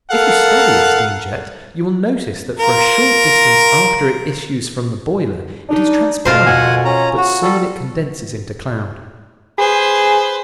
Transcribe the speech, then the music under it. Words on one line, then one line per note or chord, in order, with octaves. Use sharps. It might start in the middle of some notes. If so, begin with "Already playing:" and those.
If you study a steam jet you will notice that for a short distance after it issues from the boiler it is transparent, but soon it condenses into cloud.
A4 A#4 F5 F#5
F4 A#4 A#5
D4 D#4
F2 B2 F4 A#4 C5
F#5 G#5
C#4 A#5
F#4
G3 A4
G#4 B4 C5